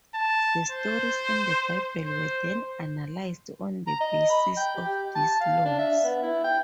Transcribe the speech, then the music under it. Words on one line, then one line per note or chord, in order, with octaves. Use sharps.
The stories in the Bible were then analyzed on the basis of these "laws".
A5
C5
C5
A#5
D#5
B5
G5
G4
A5
F5
D4
E5
B3
E4
G5